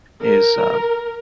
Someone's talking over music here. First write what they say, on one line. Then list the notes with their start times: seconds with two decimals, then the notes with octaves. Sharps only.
is, um,
0.23 A#4